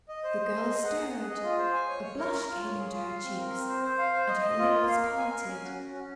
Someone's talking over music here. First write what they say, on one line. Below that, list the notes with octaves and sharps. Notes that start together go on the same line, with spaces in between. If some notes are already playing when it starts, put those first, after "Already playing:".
The girl stirred, a blush came into her cheeks, and her lips parted.
D#5
C5
C5
D#5
G#4
F#5
G#4
G#4
D#5
F4
C5
G#5
C#5
C#5
A#4
A#4
F4
C#5
G#4
F4
F5
C4
A#4
C4
C5
C5
F5
C5
D#5
D#5
F4
A#3
F5
A#4
G#5
G#5
C#4
F#4
C#4
C#4